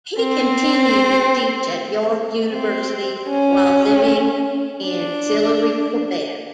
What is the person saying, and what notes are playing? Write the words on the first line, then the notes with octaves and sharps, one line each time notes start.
He continued to teach at York University, while living in Sillery, Quebec.
C4
C4
C#4
D4